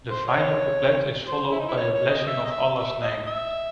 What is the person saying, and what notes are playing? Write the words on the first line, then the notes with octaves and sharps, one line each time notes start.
The final couplet is followed by a blessing of Allah's name.
C5
C#5
C5
E4
D#4
E4
C#5
C#5
D#5
E5
D#5
E5
E5
D#5
E5